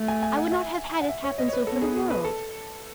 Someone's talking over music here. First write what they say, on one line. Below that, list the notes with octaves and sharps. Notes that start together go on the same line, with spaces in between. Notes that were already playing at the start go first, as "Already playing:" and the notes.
I would not have had it happen so for the world.
Already playing: A3
G#5
G#5
F#5
E5
F#5
E5
C#5
D#5
C#5
B4
B3 A4
G#4
G#4
B4
A4